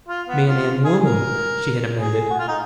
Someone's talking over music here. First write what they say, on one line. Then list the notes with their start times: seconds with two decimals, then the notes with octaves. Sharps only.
"Man and woman," she had amended.
0.08 F4
0.28 B3
0.47 F4
0.85 G#4
1.04 A#4
1.99 G#4
2.30 F#4
2.39 F4
2.48 D#4